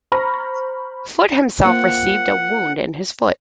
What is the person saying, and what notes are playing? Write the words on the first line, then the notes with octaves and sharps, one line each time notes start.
Foote himself received a wound in his foot.
C5 A#5 B5 C#6 F6 A#6
A#3 C4 F4 F#5